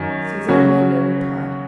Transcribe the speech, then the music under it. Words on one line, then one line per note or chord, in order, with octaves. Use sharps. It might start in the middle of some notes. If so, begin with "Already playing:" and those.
Suzanne made no reply.
Already playing: F#2 D#3 F#3
C#3 F#3 C#4 F#4 C#5